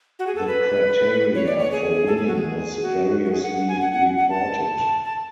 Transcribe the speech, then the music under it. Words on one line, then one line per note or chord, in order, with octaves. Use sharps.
The criteria for winning was variously reported.
F#4
G#4
A4
B4
C#5
D5
C#5
G#4
A4
G#4
F#4
G#4
F#4
F#4
G#4
F#5
F#5
G#5
F#5
F#5
F#5
A5
A5